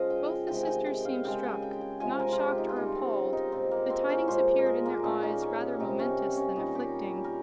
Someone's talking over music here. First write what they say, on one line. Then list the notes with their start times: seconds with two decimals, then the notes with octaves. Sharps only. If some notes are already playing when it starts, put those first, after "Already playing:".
Both the sisters seemed struck: not shocked or appalled; the tidings appeared in their eyes rather momentous than afflicting.
Already playing: C#3 F3 G#3 D#5 F5
0.10 G5
0.48 C3 D#3 G#3 G5
0.63 G5 G#5
0.86 G5
1.05 F5
1.25 C#3 G#3 G5
1.44 G#5
1.62 G5
1.81 G#5
2.00 C3 F3 G#3 G#5
2.19 A#4
2.32 F4
2.38 G4
2.58 D#4
2.69 F4
2.76 C#3 G3 D#4
2.95 C4
3.33 D#4
3.52 A#2 G#3 C4
3.71 A#3
3.90 C4
4.09 C#4
4.28 A#2 F3 G#3 C5
4.58 A#4
4.66 G#4
4.86 A#3
5.04 A#2 G#3 C#4
5.23 D#4
5.42 C#4
5.61 G4
5.80 C3 G3 D#4
5.99 C#4
6.37 C#4
6.56 A#2 G3 D#4
6.75 G4
7.24 A#4